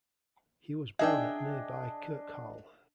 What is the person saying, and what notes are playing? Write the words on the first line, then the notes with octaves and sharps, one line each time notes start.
He was born at nearby Kirkharle.
D4 G#4 D#5 E5 G5